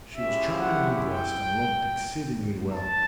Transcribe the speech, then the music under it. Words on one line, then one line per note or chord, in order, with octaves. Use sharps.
She was charmingly dressed and looking exceedingly well.
G#3 C#4 E4 G4 E5
F#5
G5
A5